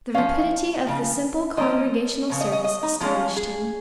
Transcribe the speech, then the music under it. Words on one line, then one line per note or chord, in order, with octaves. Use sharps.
The rapidity of the simple Congregational service astonished him.
F3 C#4 F5
C#3 F3
F3 A#3 C#4 D#5
C#3 F3
D#5
D#5
D#5
D#4
F3 G#3 C#4 F4
G#4